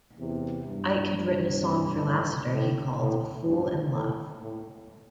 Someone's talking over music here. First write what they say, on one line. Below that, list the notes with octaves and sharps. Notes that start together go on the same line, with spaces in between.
Ike had written a song for Lassiter he called "A Fool in Love".
E2 C3
G2
C3
A2
A2
A2
G2
A2
A2